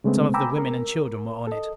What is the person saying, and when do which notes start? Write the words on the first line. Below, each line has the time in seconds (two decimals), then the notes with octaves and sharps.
Some of the women and children were on it.
0.04 C#3 G#3 A3 B3 C4
0.34 G5 G#5 A#5 B5 D6 E6
0.58 A#4
1.47 A4 D#5